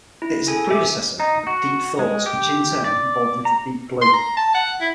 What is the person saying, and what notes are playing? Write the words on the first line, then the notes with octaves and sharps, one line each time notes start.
It is the predecessor of Deep Thought which in turn evolved into Deep Blue.
E4
G#4 A4 G#5
G4 E5 D6
D#4
F#4
G#3
G4
D5
A#5
C6
A#5
A5
F#5
E4